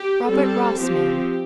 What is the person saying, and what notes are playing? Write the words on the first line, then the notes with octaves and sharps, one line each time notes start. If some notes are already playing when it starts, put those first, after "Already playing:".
"Robert Ross, ma'am."
Already playing: G4
G3 C4 A4
F3 C4 G4